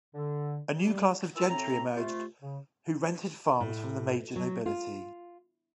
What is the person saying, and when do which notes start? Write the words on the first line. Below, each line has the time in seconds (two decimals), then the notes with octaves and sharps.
A new class of gentry emerged who rented farms from the major nobility.
0.15 D3
0.80 G3
1.35 E3 F4 A#4 E6
1.49 A2 C4 A#5
1.95 C3 A3 F4
2.42 C#3
3.60 A2
4.36 F#3
4.66 F4